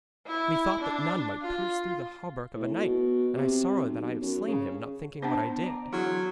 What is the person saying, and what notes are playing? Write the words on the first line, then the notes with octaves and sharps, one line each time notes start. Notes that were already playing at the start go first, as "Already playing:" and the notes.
'Methought that none might pierce through the hauberk of a knight, and I sorrow that I have slain him, not thinking what I did.'
E4
D4
F4
A2
B2
C3
B1
F#2
C#3
B3 D4 C5 F#5 A5
D5 A#5
E2 D3 F#3 E4 G#4